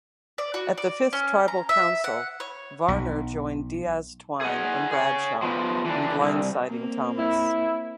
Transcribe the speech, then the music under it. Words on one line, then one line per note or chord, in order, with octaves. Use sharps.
At the fifth Tribal Council, Varner joined Diaz-Twine and Bradshaw in blindsiding Thomas.
D5
F#4
D5
C#4
A#5
E5
F#5
C#5
B1
G#4 F#5
G#4 C#5
F3 B3
E3 D4
C2
A#3 C4
E4